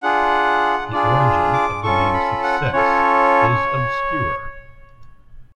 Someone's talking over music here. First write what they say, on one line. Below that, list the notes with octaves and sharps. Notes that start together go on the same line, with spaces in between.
The origin of the name "Success" is obscure.
D4 F4 G#4 F#5
D4 F4 G#4 D5
D6
C#4 F4 A4 C#6
B5
F#5
C#4 F4 A4 C#5